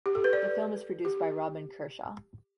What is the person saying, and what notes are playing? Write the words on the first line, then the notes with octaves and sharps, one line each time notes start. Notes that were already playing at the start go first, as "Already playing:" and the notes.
The film is produced by Robyn Kershaw.
G4
A4
B4
D5
G4